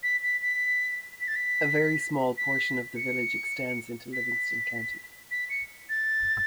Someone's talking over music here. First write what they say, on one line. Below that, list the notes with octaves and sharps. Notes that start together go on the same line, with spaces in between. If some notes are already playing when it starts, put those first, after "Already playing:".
A very small portion of the village extends into Livingston County.
B6
B6
B6
B6
A6
B6
B6
C#7
B6
B6
C#7
A6